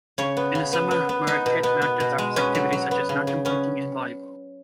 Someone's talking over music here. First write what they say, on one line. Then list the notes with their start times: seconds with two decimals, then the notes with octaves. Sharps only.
In the summer, Marquette Mountain offers activities such as mountain biking, and volleyball.
0.18 C#3 C#5
0.37 B3
0.55 C#3
0.73 B3
0.91 B3
1.09 B3
1.27 B3 D#4
1.46 B2
1.63 B3
1.82 B3
2.00 B2
2.18 G#3
2.36 B3 C#4
2.55 F#3
2.73 F#3
2.91 B3
3.09 C#3
3.27 C#3
3.45 B3 C#4